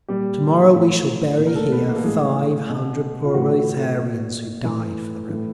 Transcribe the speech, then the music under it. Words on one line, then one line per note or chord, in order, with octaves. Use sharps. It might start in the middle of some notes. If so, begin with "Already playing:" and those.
"To-morrow we shall bury here five hundred proletarians who died for the Revolution."
A#2 G3 G4
A2 E3
A#2
A#4
A3 A4
B3 B4
A#3 A#4
A4
A2 E3 G#3 G#4
B2
F4
A2 E3 F#4
A#2
A2 E3
A2 E3